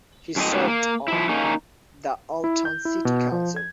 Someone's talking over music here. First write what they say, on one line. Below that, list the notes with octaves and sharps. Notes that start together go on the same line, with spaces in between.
He served on the Alton City Council.
F#2 A2 C4 D#5
G#2 C#3 G3 A#3 B3
A#3
F3 E4
A#3 C#4 D#4
E4
G6
E4
B2
F3
G#6